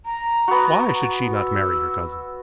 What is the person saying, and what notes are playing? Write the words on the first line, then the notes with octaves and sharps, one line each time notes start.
Why should she not marry her cousin?
A#5
B3 F#4
E6